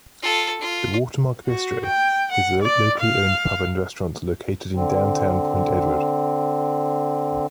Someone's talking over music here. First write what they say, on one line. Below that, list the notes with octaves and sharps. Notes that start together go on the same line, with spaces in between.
The Watermark Bistro is a locally-owned pub and restaurant located in downtown Point Edward.
F4 A4
F4
F#4
G5
F#5
D5
F5
D3 C4